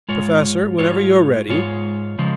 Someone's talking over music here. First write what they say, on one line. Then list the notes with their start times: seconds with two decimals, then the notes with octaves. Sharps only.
"Professor, whenever you're ready. . . ."
0.09 G#2 G#3 F4 C#5
0.78 G#2 G#3 F4 C#5
1.49 G#2 G#3 F4 C#5
2.18 C#3 F3 G#3